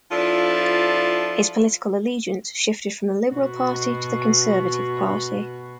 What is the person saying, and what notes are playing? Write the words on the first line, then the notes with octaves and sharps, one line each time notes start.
His political allegiance shifted from the Liberal Party to the Conservative Party.
F3 D4 E4 F4 A4
B2 F#4